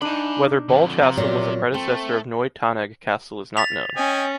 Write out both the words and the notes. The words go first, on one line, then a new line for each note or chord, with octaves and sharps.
Whether Boll Castle was a predecessor of Neu-Tannegg Castle is not known.
D4 D#4 G#5 B5
F2 D3
C3 F3 A#5
A#2 F#3
A3 C4
A6 B6 F7
C#4 D#5 G5 G#5